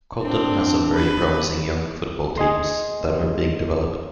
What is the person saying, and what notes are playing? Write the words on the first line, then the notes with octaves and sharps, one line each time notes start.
Colton has some very promising young football teams that are being developed.
C4 D4
B4
G#4 D#5 C6